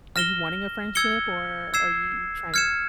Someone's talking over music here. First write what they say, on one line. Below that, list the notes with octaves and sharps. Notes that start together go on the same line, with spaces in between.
are you wanting a friendship, or are you try
F6 A#6 E7 G7
E6 G#6 C#7 G7
E6 G#6 C7 E7
F6 G#6 C#7 E7